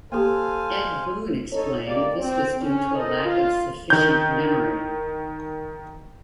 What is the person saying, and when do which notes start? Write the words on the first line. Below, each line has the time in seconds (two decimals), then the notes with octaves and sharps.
Ed Boon explained this was due to a lack of sufficient memory.
0.12 A#3 G4 A4 C5 F5 G#5
1.52 D#4 A4 C#5
1.84 G#3 A#3 G4 D5
2.19 C4
2.61 C#4
2.94 D#4 A4 A#4 C5 D#5
3.25 F4
3.90 D#3 G6